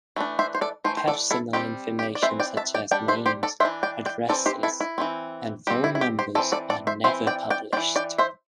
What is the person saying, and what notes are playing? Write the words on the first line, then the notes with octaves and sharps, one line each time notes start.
Personal information such as names, addresses, and phone numbers are never published.
E3 A3 D4
C5 E5
C5
A4 D5
E3 A3 C5
C5
A4 D5
E4 A4
G3 C4 G4
G4
D5
E3 C4 C5 E5
D5 G5
E5 A5
D5 G5
G3 D4 D5 G5
C5 E5
G4 C5
A4 D5
E3 A3 D4 C5 E5
D5 G5
D5 G5
E3 C4 A4 D5
G4 C5
E4 A4
E4
E3 A3 C4
G3 C4 G4
E4
E4
G4
G4 C5
E3 C4 A4 D5
A4 D5
A4 D5
C5 E5
E3 C4 C5 E5
D5 G5
D5 G5
C4 D5 G5
E3
D5 G5
C5 E5